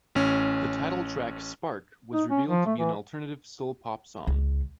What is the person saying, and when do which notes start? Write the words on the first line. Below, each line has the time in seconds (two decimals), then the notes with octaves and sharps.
The title track "Spark" was revealed to be an alternative soul pop song.
0.15 A1 C#4
2.13 D#4
2.30 C#4
2.48 F3
2.66 A3
2.79 E3
4.27 C#2